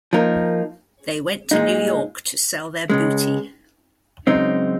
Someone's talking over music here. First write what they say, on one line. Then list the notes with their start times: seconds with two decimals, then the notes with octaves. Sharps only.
They went to New York to sell their booty.
0.13 F3 A#3 D#4 A#4
1.51 A#2 G#3 D#4
2.90 C#2 C#3 G#3
4.27 F#2 C#3 G#3 C4 D#4